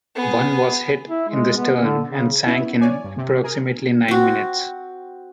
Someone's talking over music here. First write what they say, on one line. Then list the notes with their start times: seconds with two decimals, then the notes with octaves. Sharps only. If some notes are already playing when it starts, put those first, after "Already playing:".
One was hit in the stern and sank in approximately nine minutes.
0.15 B3 G#4
1.08 E4
1.29 G#3
1.57 B3
1.82 D3
2.08 C#3
2.46 B3 C#4 E4 E5
2.81 C#5 D5 G#5
3.04 G2
3.17 C3
3.43 G#4 A#4
4.08 C4 F#4